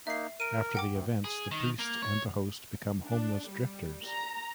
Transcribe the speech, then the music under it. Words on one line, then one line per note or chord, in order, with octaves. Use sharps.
After the events, the priest and the host become homeless drifters.
A#3 D#4 E5 C7
A#4 D7 D#7
F#5 G5 D6
D2
G#4
D#3
A#3
C#5
D4
G3
A#5